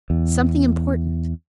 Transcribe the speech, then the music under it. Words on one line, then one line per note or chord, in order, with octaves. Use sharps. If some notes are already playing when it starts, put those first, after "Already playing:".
"Something important."
E2